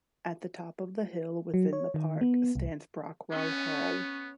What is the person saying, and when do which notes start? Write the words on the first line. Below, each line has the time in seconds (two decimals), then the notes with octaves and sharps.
At the top of the hill within the park stands Brockwell Hall.
1.54 F#3
1.73 C#5
1.94 D#3
2.21 B3
2.55 C2
3.32 B3 C#4 C#5